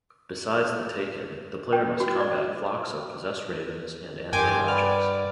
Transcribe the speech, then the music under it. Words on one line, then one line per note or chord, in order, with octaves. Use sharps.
Besides the Taken, the player must combat flocks of possessed ravens and animated objects.
G5
F#4
D5
G2 G4 A#4 G5 G#5 C6 D6
B4 D5 F#5 B5 F6